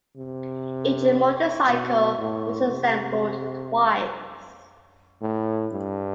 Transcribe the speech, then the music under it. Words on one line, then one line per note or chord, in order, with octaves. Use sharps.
Each motorcycle was assembled twice.
C3
B2
A2
C3
A2
G2